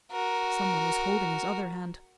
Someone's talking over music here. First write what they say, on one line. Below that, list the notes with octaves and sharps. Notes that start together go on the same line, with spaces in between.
Someone was holding his other hand.
F#4 A#4